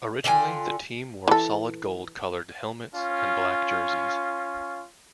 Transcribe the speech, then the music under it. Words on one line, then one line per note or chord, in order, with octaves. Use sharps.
Originally, the team wore solid gold-colored helmets and black jerseys.
D3 F4 G5 G#5
E3 A4
C#4 F4